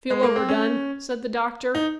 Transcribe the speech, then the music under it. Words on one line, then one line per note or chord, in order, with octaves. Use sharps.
"Feel overdone?" said the doctor.
G#3
A#3
C4
C#4
D#4